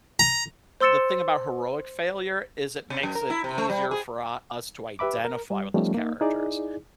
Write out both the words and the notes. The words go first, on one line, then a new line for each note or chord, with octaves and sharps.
the thing about heroic failure is it makes it easier for u us to identify with those characters,
A#5
C5 C6 E6 A6 C#7 E7
C3
F#2
A#4
E4
C3
A3
G3
G#4
G4 B4 E5 B5 D6
A#4
G3
F3 G3 A3 B3 C#4 D#4
A#3 D#4
D#4 E4 G#4 D5